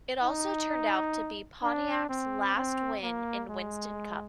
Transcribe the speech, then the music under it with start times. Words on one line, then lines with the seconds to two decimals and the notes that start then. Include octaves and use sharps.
It also turned out to be Pontiac's last win in Winston Cup.
0.23 D#4
1.63 D4
2.09 C4
2.56 C4
3.03 A#3
3.50 G#3